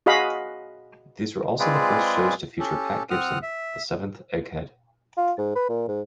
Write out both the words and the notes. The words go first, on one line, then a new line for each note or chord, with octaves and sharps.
These were also the first shows to feature Pat Gibson, the seventh Egghead.
F#4 G#4 D#5 F5 F#5 B5
G#3 C4 F4 G#4 B4 D5
C#4 G4 A4
C4 F#5 D#6 F6
E5
F4
G#2
B4
A#2
G#2